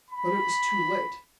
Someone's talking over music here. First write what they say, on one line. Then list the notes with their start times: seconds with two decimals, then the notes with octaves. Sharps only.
But it was too late.
0.10 B5